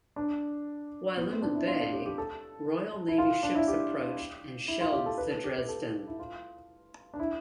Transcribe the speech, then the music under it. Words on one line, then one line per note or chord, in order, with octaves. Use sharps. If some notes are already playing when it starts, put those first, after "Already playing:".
While in the bay, Royal Navy ships approached and shelled the "Dresden".
D4
B3
C4
D4
E4
F4
A4
G4
G4
A4
E4
F4
D4
E4
G4
E4
F4
G4
A4
B4
A4
G4
B4
A4
E4
F4
D4
E4